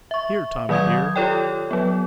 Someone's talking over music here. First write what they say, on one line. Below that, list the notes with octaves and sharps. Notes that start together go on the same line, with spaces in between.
Here, Tommy, dear.'
E5 C#6
D#3 F#3 D5 D#6 G#6
F4 G4 A4 C#5 D5 G5
F#3 B3